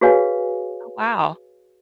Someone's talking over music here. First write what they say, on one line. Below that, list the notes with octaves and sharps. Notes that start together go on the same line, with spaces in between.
Oh, wow.
F#4 G#4 B4 C#5 F5 G#5